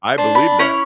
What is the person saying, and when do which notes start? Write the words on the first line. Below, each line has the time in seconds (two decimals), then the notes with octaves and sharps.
I believe that.
0.18 D4 C5
0.35 B5
0.59 C#4 E4 C#5